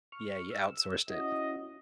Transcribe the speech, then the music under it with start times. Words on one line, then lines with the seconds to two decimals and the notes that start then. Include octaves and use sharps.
Yeah, you outsourced it.
0.12 C#6 F6
0.51 E6
1.10 C#4 E4 F#4 D#5